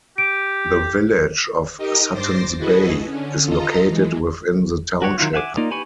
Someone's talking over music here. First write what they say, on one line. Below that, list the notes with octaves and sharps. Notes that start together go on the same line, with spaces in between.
The village of Suttons Bay is located within the township.
G4 D7
D#4 G4 A#4 D#5
G2 C5 D6 A6 A#6 C7
E4 F#4 G#4 A4 B4 D#5
D3 C#4
F4 A4 D#5 A#5
E3 G#3
F#4 G4 C#5 F#5
D#3 F#3 E4 F4
E5 F#5 G#5 D6
A#3 D#4 F4 D5
G4 B4 G#5 B5 C#6